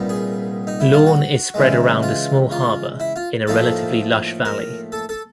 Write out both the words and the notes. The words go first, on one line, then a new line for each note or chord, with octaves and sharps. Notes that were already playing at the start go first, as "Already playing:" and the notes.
Lawn is spread around a small harbour in a relatively lush valley.
Already playing: C2 A#2 G3 B3 D#4
G#4
D#4
E4
F4
F#4
C#3 E3 G#3
F4
F4
E4
F4
A2 F3 A#3 D#4 A4
A#4
A4
A4